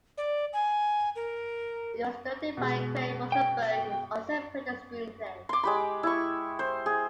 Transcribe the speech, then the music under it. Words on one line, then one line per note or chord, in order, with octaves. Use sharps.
It was directed by Craig Rosenberg, who also penned the screenplay.
D5
G#5
A#4
B2 G#3
G5
C6 D6
G#3 G4 B5
E4 C#6
C5
G#4